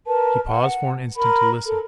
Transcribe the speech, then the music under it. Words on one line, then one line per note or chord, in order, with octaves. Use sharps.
He paused for an instant to listen.
A#4 B4 A5
F#5
A#4 B5
A4 A#4